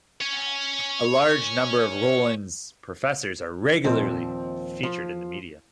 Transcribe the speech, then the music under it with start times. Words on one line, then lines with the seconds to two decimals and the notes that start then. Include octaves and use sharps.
A large number of Rollins professors are regularly featured in the media.
0.20 C#5 G#5
3.84 D#2 A#2 F3 C4
4.83 F3